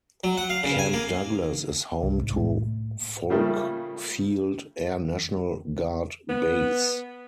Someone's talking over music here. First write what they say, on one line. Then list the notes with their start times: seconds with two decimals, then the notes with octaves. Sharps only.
Camp Douglas is home to Volk Field Air National Guard Base.
0.24 F#3
0.37 F#5
0.50 F5
0.63 C#3
0.79 G#5
0.93 A#3
2.03 C2
2.21 G#2
2.37 A2
3.30 C#3 F3 G3 A3 A#3
6.29 B3